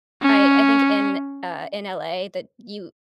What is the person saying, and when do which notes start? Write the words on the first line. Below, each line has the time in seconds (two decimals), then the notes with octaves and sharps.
I I think in uh, in LA that you
0.22 C#4